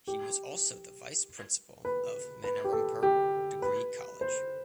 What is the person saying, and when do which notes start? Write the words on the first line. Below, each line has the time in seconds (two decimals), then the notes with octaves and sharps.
He was also the vice principal of Manirampur Degree College.
0.07 G4
1.85 B4
2.44 B4
2.64 G4
2.73 A4
3.03 G4
3.62 B4
4.21 C5